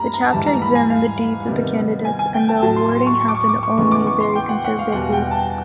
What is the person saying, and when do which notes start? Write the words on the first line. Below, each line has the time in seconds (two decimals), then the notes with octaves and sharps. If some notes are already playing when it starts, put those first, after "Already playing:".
The chapter examined the deeds of the candidates and the awarding happened only very conservatively.
Already playing: G2 G3 A#3 A#5 B5
0.14 A#5
0.32 G#2 E3 G3 A5
0.46 A#5
0.62 B5
0.75 G#5
0.90 F5
1.47 C3 D#3 G3 B3
2.05 G#5
2.19 G#5
2.34 G5
2.48 A5
2.62 A2 F#3 A3 A5
2.76 C6
2.92 C6
3.06 C#6
3.21 C#6
3.28 D6
3.35 C#6
3.49 D6
3.63 C#6
3.78 C#3 E3 G#3 B3 C#6
3.91 D6
4.07 C#6
4.20 C6
4.35 G5
4.49 F#5
4.65 F#5
4.79 F5
4.92 E2 B2 G3 F#5
5.12 G5
5.31 A5